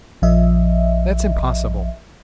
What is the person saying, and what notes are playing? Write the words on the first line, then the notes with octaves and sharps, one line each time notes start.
"That's impossible!"
A#1 F3 D#5 E5